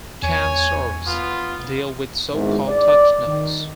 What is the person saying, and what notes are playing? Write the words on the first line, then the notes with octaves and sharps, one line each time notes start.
Kan-swars deal with so called "touch notes".
E2 C#5 G#5
B3 F4
G#1 E2 G#2
D5
D#3